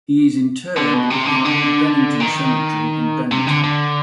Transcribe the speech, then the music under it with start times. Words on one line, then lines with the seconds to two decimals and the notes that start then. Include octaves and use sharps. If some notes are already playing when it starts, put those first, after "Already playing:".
He is interred at the Old Bennington Cemetery in Bennington.
0.78 D3
0.94 B2
1.10 C3
1.25 D3
1.36 C3
1.45 D3
2.21 D#3
3.32 C3
3.47 D3
3.64 D3